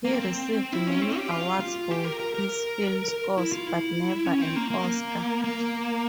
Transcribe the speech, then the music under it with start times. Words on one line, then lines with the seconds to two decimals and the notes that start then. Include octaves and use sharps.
He received many awards for his film scores, but never an Oscar.
0.05 A#3
0.13 C4
0.72 E4
0.87 C#4
1.02 C4
1.17 G4
1.31 F4
1.60 F4
1.91 G4
2.05 A#4
2.20 A#4
2.34 A#4
3.08 A#4
3.38 E4
3.52 F4
3.67 E4
4.26 C#4
4.41 C4
4.56 A#3
4.70 A#3
5.44 A#3